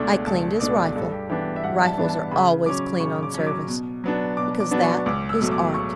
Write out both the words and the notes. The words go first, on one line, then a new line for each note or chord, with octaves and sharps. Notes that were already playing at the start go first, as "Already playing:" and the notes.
I cleaned his rifle,--rifles are always clean on service,--because that is Art.
Already playing: C#2 B2 A3 D4 D6
C#2 A5
B2 A3 D4 D5
G2 A4
G4
E3 B3 D4 G4
E5
G2 F#5
A5
E3 B3 D4
A5
C#3 B5
F#3 C#4 D6
C#3 C#6
D6
F#3 C#4
D6
B2
F#3 B3 D4
B2 D6
D6
F#3 B3 D4
C#6
C#2 D6
E6
B2 F#3 A3
D6
C#6